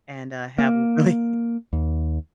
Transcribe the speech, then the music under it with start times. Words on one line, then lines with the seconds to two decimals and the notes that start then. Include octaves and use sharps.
and, uh, have a really
0.58 A#3
1.73 D#2